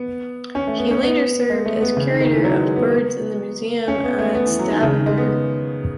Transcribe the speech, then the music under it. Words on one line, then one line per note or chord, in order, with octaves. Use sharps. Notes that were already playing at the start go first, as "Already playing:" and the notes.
He later served as curator of birds in the museum at Stavanger.
Already playing: B3
C#4
A3
B3
C#4
B3
G#3
A3
B3
C#3
D#3
D#3
E3
F#3
G#3
B3
C#4
B3
A3
B3
E3
F#3
D#3
C#3
D#3
G#3
B3